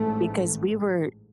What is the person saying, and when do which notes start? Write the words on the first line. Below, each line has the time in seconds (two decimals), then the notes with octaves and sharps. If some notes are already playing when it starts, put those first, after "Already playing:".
"because we were
Already playing: A1 G#2 A3